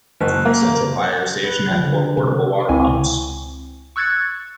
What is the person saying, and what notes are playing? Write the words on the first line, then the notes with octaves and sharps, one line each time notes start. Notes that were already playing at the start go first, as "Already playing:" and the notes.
Central Fire Station had four portable water pumps.
F#1
A#3
B4
F3
D3
C3
C#2 C4 E4 G#5
C#6 E6 F#6 G#6 A6 C#7